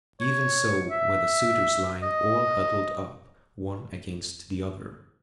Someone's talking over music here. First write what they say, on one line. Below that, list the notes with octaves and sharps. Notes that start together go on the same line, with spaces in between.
Even so were the suitors lying all huddled up one against the other.
C#5
E5
D#5